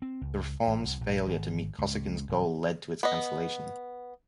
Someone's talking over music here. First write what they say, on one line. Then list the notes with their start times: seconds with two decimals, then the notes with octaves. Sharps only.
The reform's failure to meet Kosygin's goal led to its cancellation.
0.02 C4
0.21 C#2
0.67 A1
0.85 C2
1.01 A#1
1.26 G#1
1.78 C#2
2.29 D#1
3.03 B3 D#5